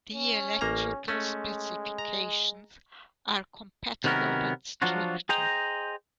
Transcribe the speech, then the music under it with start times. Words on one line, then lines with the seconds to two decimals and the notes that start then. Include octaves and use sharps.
The electrical specifications are compatible, but stricter.
0.13 C#4
0.61 A1 A#3 A#5
1.08 G#3 A3 C#4
1.98 A#5
4.04 C3 D#3 F#3 B3 C#4 A#4
4.82 F3 F#3 D4 F4 F#4
5.29 G#4 C5 D#5 G5 A#5